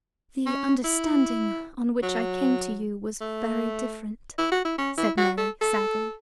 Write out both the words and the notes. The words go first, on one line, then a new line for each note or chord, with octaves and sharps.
"The understanding on which I came to you was very different," said Mary, sadly.
C#4
E4
F#3
A3
E4
F#4
E4
C#4
E4
F#4
A4
A4